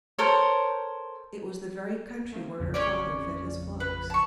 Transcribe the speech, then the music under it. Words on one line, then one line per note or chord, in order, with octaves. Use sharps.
It was the very country where her father fed his flocks.
A4 A#4 C5 C#5
A3 A#3 C4
A1 F2 C#3
C#4 C#5 D5
B4
A5 C#6